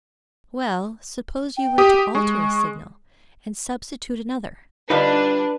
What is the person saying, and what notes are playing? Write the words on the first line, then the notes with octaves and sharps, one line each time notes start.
"Well, suppose you were to alter a signal, and substitute another?"
G5
G4 D#6
G#3 C#6
D3 G3 D4 D#4 F4 B4